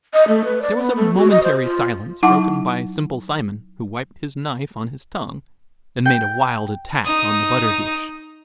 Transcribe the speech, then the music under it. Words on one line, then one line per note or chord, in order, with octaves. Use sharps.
There was a momentary silence, broken by Simple Simon, who wiped his knife on his tongue, and made a wild attack on the butter dish.
D#5
A3
B4
D5
B3
A3
F#4
D#5
C5
F4
F#3 D#4 E4 F#5 A5 D6
G5
D#4 D#6